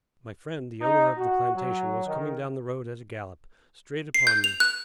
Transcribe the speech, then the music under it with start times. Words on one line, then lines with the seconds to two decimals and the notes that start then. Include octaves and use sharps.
My friend the owner of the plantation was coming down the road at a gallop, straight upon me.
0.81 D#4
1.17 F#4
1.55 F#3
2.06 D#3
4.14 C7
4.27 G6
4.44 F7
4.60 F#6